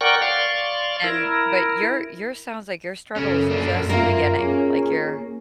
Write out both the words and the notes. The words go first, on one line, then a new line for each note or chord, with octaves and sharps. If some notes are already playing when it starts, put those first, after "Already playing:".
And but your your sounds like your struggle is just beginning, like you're
A#4 D5 F#5 G5 C#6
D5 F5 C6 C#6
E4 A#4
F#2 C#3 C#4 A4
A#3 D4
A#3 F4 A#4 E5
C#4 G#4